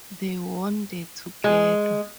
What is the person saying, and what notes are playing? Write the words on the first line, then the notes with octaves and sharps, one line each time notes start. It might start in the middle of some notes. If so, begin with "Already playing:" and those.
They won the together.
G#3